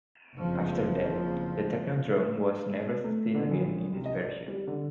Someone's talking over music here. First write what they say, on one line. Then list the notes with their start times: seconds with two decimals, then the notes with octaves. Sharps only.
After that, the Technodrome was never seen again in this version.
0.35 F#1 F2 F3
3.04 A3
3.35 D3
3.51 A#1
3.93 C2
4.06 D#5
4.21 D5
4.48 G3
4.67 D3